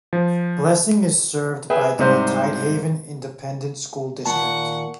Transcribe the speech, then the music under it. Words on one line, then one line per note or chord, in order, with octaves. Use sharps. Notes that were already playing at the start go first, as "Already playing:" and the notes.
Blessing is served by the Tidehaven Independent School District.
F3
G#4 B4 E5 G5
C2 G#2 C3 C5
D#2 A#2 A#3 F#5 A5 C#6